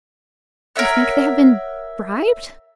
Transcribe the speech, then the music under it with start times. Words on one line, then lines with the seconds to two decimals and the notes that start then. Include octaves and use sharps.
"You think they have been, bribed?"
0.76 A#4 C#5 E5 F#5